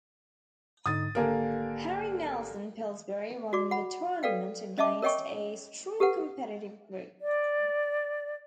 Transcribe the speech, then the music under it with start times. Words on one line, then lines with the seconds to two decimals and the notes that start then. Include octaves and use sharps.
Harry Nelson Pillsbury won the tournament against a strong competitive group.
0.86 G#2 D3 D#4 D#6 A6
1.15 G#1 D3 A#3 G4 A#4 G#5
3.53 F#4 D5 D6
3.71 F#5 B5
4.23 A4 B4 D5 F5 G5
4.78 C#4 D#5 E5 A5 D6
5.02 A#4 C#5 D#5 G5 G#5 C#6
6.00 G4 A4 B4 F#5
7.21 D5